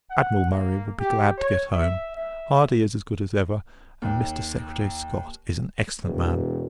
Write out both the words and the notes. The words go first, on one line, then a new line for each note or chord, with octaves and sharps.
Admiral Murray will be glad to get home; Hardy is as good as ever; and Mr. Secretary Scott is an excellent man.
F#5
A#3
G4
C#5
E5
E5
D#2
E1